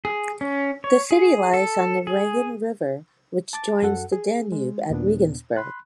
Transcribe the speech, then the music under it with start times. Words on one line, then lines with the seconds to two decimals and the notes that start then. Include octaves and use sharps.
The city lies on the Regen River, which joins the Danube at Regensburg.
0.05 G#4
0.41 C#4
0.84 C#5
1.11 G#4
1.54 A4
2.07 G#4
3.53 A5 D6 A6
3.82 F#2 F#4 A4 F#5
4.12 G#4
4.52 G#3
4.90 D#2 A#2 B3 D4
5.56 B5 C6 F#6